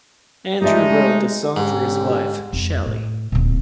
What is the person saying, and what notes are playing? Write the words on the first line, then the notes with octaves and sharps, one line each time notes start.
Andrew wrote the song for his wife, Shelly.
G#3 A3 D#4 G4 D5 E5
G#2 D3 C#4 G4
F2 G#3
A2
D1 A#2